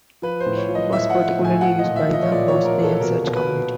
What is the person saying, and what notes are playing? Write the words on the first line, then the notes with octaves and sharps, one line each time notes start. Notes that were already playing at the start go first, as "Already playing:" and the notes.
It was particularly used by the Bosnian Church community.
F3 B4
C5
A2
C#5
F3
D#5
A2 E5
F#5
F3
A2
G#5
F3 F#5
D#5
A#2
E5
F3
D#5
C#5
A#2 D5
C#5
F3
A#4
A#2
A4
B2 A#4
B2
B4
B2